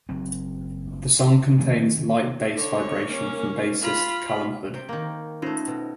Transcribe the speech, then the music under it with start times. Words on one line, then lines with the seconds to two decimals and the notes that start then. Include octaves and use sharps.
The song contains light bass vibration from bassist Calum Hood.
0.09 F#1 F#3 C4
1.58 D#3 E3 A3 C4
2.55 D3 C#5
3.09 A#3 C#4
3.81 F4 B5
4.74 C3 G5
4.89 D#3 A#3
5.42 A3 C#4 D#4 F4 C5
5.67 B2